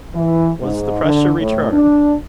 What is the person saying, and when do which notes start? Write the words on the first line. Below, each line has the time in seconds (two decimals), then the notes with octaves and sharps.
Was the pressure returned?
0.14 E3
0.63 G#2
1.03 D3
1.39 A2
1.73 D4